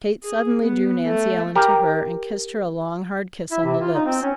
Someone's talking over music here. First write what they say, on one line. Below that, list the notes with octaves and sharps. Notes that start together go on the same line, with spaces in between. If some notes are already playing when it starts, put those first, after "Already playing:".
Kate suddenly drew Nancy Ellen to her and kissed her a long, hard kiss on the lips.
G#4
B3
A3
G4 A#4 A#5
E4
C3
F4
D#4
C4
C#4